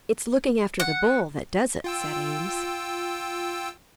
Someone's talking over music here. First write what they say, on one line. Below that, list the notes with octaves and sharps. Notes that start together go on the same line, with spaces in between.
"It's looking after the bull that does it," said Eames.
F#5
F4 G5 E6